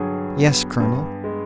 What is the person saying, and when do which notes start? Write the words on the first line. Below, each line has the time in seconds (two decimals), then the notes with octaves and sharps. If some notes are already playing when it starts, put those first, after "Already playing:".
"Yes, colonel."
Already playing: G2 D3 F#3 G#4
0.37 B3
0.80 G2
1.24 G#3